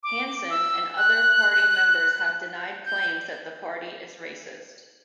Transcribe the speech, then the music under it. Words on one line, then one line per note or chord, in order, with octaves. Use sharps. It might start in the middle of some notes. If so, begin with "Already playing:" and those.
Hanson and other party members have denied claims that the party is racist.
D6
E6
F#6
G6